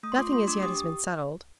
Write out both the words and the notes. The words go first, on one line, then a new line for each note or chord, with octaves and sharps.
Nothing as yet has been settled.
A3 D#6
C6
F4 D6
A3 C6
D4 D6
G4 D#6